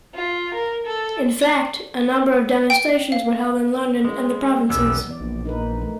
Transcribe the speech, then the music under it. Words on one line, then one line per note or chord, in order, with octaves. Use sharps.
In fact, a number of demonstrations were held in London and the provinces.
F4
A#4
A4
D5
G5
F5
G#3
B1 E2 G3 B3 C#4 E6
E3 B3 D5
A#1
D#4 A#4 B4
A3